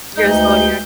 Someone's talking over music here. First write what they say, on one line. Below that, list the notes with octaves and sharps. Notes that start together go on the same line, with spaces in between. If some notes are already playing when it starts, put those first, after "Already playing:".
Your zodiac
D2 G#3 D#4 B4 G6